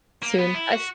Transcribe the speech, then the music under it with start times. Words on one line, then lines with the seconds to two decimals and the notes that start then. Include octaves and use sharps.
soon, I s
0.23 A#3
0.38 B3
0.55 E4
0.71 F#4